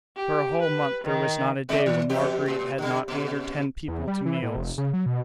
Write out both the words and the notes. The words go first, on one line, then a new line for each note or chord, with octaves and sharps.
For a whole month there was not a day when Marguerite had not eight or ten people to meals.
G4
B4
D#3
B2 G#3 D5
D#3
E2 B2 G4
A2
D3 G3
A#2 C#3
E2
G3
E3
A2
F1
C#3
F#3
B2